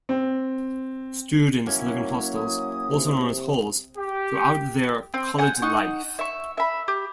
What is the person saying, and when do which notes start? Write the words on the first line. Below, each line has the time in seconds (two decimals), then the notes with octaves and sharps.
Students live in hostels, also known as halls, throughout their college life.
0.09 C4
1.67 F#3 A#3 C#4 E4
2.35 D#6
2.89 C3
3.97 G4
5.14 C4
5.38 F#5 G#5 G6
5.62 D#4 F#5 C#6
6.19 E5 C#6
6.57 E5 B5
6.88 G4